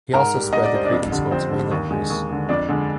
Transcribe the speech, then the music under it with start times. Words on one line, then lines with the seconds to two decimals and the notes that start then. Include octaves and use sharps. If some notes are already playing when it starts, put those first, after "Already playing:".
He also spread the Cretan School to mainland Greece.
0.13 G#2 A#4 A#5
0.34 G3
0.53 G#2 D#5
0.64 D5
0.73 G3 C5
0.85 D4 D5
0.92 F2
1.12 D3 G3
1.31 F2 C4 C5
1.51 D3 G3
1.71 D#2
1.90 D3 G#3
2.10 D#2
2.29 D3 G#3
2.49 F2 D4 D5
2.69 D3 G#3